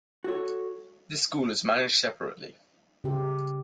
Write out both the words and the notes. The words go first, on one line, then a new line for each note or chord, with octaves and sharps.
This school is managed separately.
F#4 A4 C#5
C#3 G4